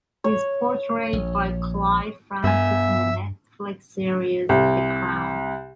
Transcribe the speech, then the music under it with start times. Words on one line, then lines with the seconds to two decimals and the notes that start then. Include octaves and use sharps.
He is portrayed by Clive Francis in the Netflix series "The Crown".
0.24 C#5
1.13 A#1
2.44 G2 B2 E5 G#5
4.49 C2